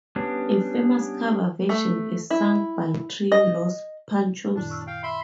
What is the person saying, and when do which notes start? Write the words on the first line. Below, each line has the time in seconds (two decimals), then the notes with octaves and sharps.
A famous cover version is sung by Trio Los Panchos.
0.16 G3 B3 C#4 D4
1.69 A3
2.30 E4
3.32 D#5
4.55 F#2 A#2 D#3 D4
4.70 C#6 E6 F6
4.87 F5 G5
5.03 E5 B5 C6